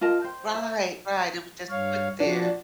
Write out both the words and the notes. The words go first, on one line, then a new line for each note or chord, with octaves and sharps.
Right, right, it was just put there.
F4 A#4 D#5 A5
C5 G5
E5
G2 C#5 F5
F3 D4 F#4